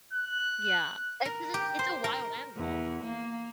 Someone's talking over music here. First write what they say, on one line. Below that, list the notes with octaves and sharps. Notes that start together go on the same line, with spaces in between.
Yeah. Eh, because it it's a wild animal.
F#6
A#4
G4
C5
A#4
E2
A#3